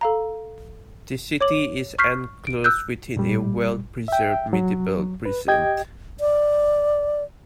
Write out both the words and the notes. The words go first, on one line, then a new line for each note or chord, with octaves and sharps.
The city is enclosed within a well-preserved medieval precinct.
A4 F5 A#5
C#5 D6 F#7
C#6 F6 G6 B6 C7
D7
E6 F#6 G6
A#2 G3
E5 G5
F#3
B4
G4 D#5 G5 G#6
D5